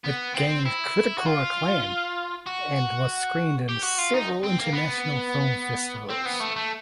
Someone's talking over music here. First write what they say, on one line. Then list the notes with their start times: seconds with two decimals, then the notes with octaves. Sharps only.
It gained critical acclaim and was screened in several international film festivals.
0.05 B3
0.35 C4
0.66 E4
1.18 F#4
1.26 F4
2.46 F#4
3.69 G4
3.83 F#4
3.98 F4
4.14 D#4
4.43 C4
4.59 A#3
4.73 B3
6.10 C4
6.25 B3
6.40 A3
6.56 A3